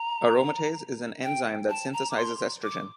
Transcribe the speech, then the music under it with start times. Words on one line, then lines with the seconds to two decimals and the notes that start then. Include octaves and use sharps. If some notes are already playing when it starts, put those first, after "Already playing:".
Aromatase is an enzyme that synthesizes estrogen.
Already playing: A#5
1.24 G5
1.69 A5
1.93 A#5
2.11 D6
2.16 C6
2.63 D6